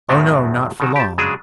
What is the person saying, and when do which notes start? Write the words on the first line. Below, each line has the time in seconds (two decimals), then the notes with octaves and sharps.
Oh no, not for long.
0.09 E2 A2 D#3 F#3 B3 C4
0.80 B2 D#3 F#3
0.96 G4 A5
1.18 C#3 F#3 G#3 D4 G#4